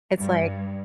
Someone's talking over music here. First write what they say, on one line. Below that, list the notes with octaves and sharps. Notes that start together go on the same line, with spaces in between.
It's like
G2